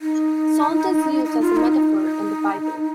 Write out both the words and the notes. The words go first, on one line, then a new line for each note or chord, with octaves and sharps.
Salt is used as a metaphor in the Bible.
D#4
D#4
F4
D#4
D#4